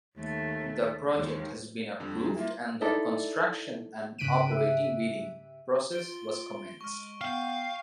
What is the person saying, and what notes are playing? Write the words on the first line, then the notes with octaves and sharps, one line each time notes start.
The project has been approved and the construction and operating bidding process was commenced.
D#2 A3
D#2 G#3
F2 D3 G3
G3 A#3 E4 F4
D#4 E4 A4 D5
G#2 C#3 F#6 B6 D7 D#7
G4 E5
F4 D7 G7
G#3 C#6 F6
B3 F5 G5 F6 G6 C7